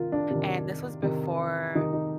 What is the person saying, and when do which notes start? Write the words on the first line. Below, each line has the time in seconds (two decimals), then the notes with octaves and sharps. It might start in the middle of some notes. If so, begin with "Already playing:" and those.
And this was before,
Already playing: C3 D#3 F4 A#4
0.12 D4
0.30 C3 D#3
1.03 C3 D#3
1.75 C3 D#3 D#4
1.93 D#4